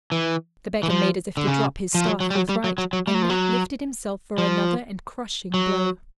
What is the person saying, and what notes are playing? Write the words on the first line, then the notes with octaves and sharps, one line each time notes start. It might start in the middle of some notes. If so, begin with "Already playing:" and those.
The beggar made as if to drop his staff forthright, and Nat lifted himself for another and crushing blow.
E3
E3
F3
D3
C#3
F3
F#3
F#3
G3
F#3
G3
F#3
F#3
F#3
G3
F#3
F3
F#3
F3
F#3